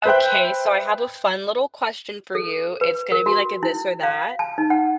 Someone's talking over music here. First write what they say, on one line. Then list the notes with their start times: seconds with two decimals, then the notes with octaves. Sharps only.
Okay, so I have a fun little question for you, it's gonna be like a this or that.
0.05 B4 C5 E5 G5 F#6
2.35 A4
2.81 B4
3.12 A#4
3.26 F#4
3.63 E4
4.03 F5
4.39 A5
4.58 D#4
4.70 F#5